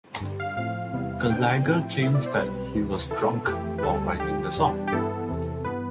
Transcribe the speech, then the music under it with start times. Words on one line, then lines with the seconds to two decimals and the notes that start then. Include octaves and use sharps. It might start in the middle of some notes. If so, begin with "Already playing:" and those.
Gallagher claims that he was drunk while writing the song.
0.21 G2 D3 G3
0.40 F5
0.57 A2 F3 C4 F5
0.93 E2 C3 G3 B3 E4
1.30 B2 B3 D4 G5
1.65 A2 F3 C4 E4
2.02 B2 B3 E4 E5
2.15 D5
2.26 C5
2.38 B1 B2 G3 C4 B4
2.75 D2 C3 E3
3.11 B2 B3 E4 A4
3.47 F2 E3 A3 E4 G4
3.78 B4
3.83 D2 D3 G3 A4
4.19 D2 D3 F3 G4
4.56 E2 B2 G3 D4
4.87 G4
4.92 G2 E3 B3 E4 A4
5.29 E2 C3 E3
5.64 G2 E3 B3 B4